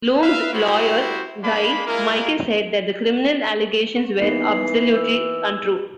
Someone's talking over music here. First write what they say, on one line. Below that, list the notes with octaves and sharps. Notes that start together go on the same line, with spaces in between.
"Leung's lawyer, Guy Michael said, that the criminal allegations were "absolutely untrue.
B4 E5 F5
G3 E4 F#4 G4 C5 G5
G#3 A#3 D4 B5
G#3 A#3 E4 F4 A#4
E3 A#3 B3 D#4 C7
E6